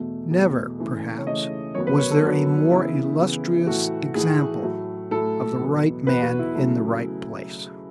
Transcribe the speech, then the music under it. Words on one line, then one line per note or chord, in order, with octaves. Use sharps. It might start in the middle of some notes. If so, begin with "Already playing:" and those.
Never, perhaps, was there a more illustrious example of the right man in the right place.
Already playing: E2 B2 A3
E2 B2 A3
C#3 E3 A3
C#5
C#3 E3 A3 D#5
F#2 D#3 F#3 B3 C#5
B4
C#5
A4
F#2 D#3 F#3 B3
C#3 E3 B3 E4
C#3 E3 B3
A2 E3 A3 F#4
A2 E3 A3 G#4
A2 F#3 A3
A2 F#3 A3 A4
E2 B2 F#3 B3
E2 B2 F#3 B3 B4
F#4
E4
C#3 F#3 A3